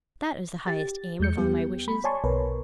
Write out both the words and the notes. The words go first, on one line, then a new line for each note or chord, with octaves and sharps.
That is the highest aim of all my wishes!
G4 A6
E2 G#3 G6 C#7
G3 B3 G4
B5
C#5 D5 G#5 A5 C6 C#6
B1 B2 A#4 B4 C#5